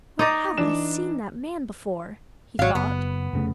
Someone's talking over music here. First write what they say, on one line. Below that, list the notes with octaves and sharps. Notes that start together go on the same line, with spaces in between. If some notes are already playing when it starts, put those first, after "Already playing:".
"Where have I seen that man before?" he thought.
D#4 D5 D#5
E3 D4 E7
G#1 F#3 F5
F#1 B3
F1 C#3 A3